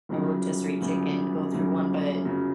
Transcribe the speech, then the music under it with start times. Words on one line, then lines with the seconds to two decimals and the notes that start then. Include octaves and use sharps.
A rotisserie chicken go through one, but
0.09 G1 F#2 C#3 F#3
0.81 G1 F#2 C#3 F#3
1.52 G1 F#2 C#3 F#3
2.24 G1 F#2 C#3 F#3